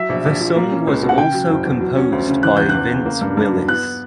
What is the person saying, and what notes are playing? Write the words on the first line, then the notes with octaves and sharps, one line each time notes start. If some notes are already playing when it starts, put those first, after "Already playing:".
The song was also composed by Vince Willis.
Already playing: F#3 E5
A#1
A#1
A#2
A#3
C#4
C#2
B2
F#5
C#3 G5
F#3
F#1
E2
F#3
C#4
D2
C#3
E3 F#6
E2 G6
F#6
E2
C#3
A#3
G2
G2
F#3
B3 F#6